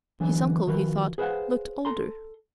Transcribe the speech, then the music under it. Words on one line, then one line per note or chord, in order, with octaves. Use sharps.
His uncle, he thought, looked older.
D3 E3 F#3 B3
D#3 F3 F#4 A#4 B4
G#4 B4 C5 D#5 F5 F#5
A4 A#5 C6